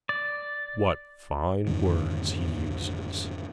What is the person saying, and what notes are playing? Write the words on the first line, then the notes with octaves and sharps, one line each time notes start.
"What fine words he uses!"
D5
F2 G#2 D3 D#3